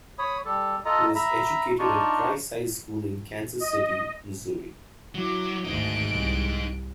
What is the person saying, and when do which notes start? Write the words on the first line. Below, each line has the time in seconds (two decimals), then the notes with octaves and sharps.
He was educated at Price High School in Kansas City, Missouri.
0.19 C#5 B5 D#6
0.45 G3 A4
0.85 F4 A4 D#5 A#5
1.15 E5 A#5 B5
1.79 D4 D#4 F4 C#6
3.60 D#5
5.15 F#3 E4 D6
5.65 G#1 D2 G#3 D#4 F#6 D7
6.09 C2